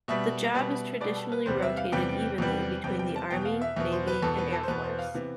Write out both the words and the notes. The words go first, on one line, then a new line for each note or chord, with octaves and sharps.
The job is traditionally rotated evenly between the army, navy and air force.
B2 G3 B3 E5
B2 G3 B3
B2 G3 B3 D5
A4
B4
E2 C3 G3 B3 C5
E5
F5
E2 C3 G3 B3 G5
E2 C3 G3 B3
E2 C3 G3 B3 G5
G5
A5
E2 B2 B3 G5
F5
E5
E2 B2 B3 E5
C5
B4
E2 B2 B3 A4
B4
A4
C5
E2 B2 B3 B4
C5
F5
C3 E3 B3